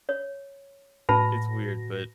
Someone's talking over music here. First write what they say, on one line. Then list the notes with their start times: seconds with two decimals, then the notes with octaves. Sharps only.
It's weird, but,
0.09 C#5
1.09 A2 F#4 B4 A5 B5 A#6